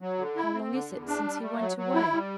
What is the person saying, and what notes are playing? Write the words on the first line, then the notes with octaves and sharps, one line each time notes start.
'How long is it since he went away?'
F#3
D3
E4
C4
D3
E2
D4
G3
A3
F#3
F#3
E4
G3